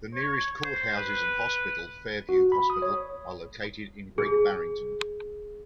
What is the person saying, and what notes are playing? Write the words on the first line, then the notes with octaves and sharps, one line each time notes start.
The nearest courthouses and hospital, Fairview Hospital, are located in Great Barrington.
C#5
C5
B4
F#4
B5
D#6
C#5
G#4